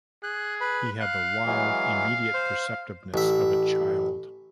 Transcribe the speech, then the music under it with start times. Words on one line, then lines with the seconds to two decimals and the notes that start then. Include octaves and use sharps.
He had the wild, immediate perceptiveness of a child.
0.23 G#4 F#6
0.61 B4 B5
1.00 F5 F#6
1.46 E3 F#3 G#3
2.34 C5
3.14 A1 E5